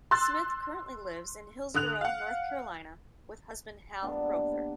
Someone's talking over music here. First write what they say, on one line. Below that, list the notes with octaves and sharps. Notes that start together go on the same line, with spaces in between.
Smith currently lives in Hillsborough, North Carolina with husband Hal Crowther.
C6 E6 F#6 A6
D3 D#6 F#6 F7
F5 F#5
G3 A#3 B3 D4